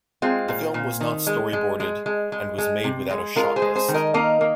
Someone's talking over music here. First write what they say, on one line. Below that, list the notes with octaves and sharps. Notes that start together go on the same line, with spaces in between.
The film was not storyboarded and was made without a shot list.
G#3 C4 F4
A#2
A#2
D#3
G#3
G#3
G#3
G#3
G#3
G#3
C3
G#3
G#3 F4 A#4
G#4 C5
G#3
G#4 C5
D#3
A#4 D#5
A#3 A#4 D#5
A#3